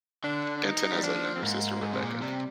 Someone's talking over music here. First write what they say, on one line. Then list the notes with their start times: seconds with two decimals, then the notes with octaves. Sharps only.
Denton has a younger sister, Rebecca.
0.24 D3 D4
0.57 D4
0.63 D#4
0.93 G3
1.02 F3 D4
1.35 C4
1.42 G#2 A#3
1.76 A#3
1.82 G#2 G#3
1.93 C3
2.02 A#2
2.13 F3
2.22 C3 G3